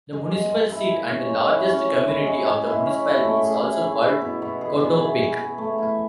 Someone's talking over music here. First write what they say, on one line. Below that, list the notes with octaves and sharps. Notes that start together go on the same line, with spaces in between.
The municipal seat and largest community of the municipality is also called Coatepec.
G#3
G#3
G#3
E4
E4
C#4
G#3
E4
C#4
E4
G#3
G#3
G#3
E4
C#4
E4
A3
G#4
E4
E4
E4
B2
B2
G#4
B2
E4
G#4
G#4
A3
E4